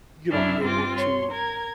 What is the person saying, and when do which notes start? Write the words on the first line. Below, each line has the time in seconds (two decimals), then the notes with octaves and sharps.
you know, be able to
0.31 F#2 D4 E4 E5 F6
0.62 G2 C4 F4 D6
0.96 C#5 C6
1.31 A#4 G#6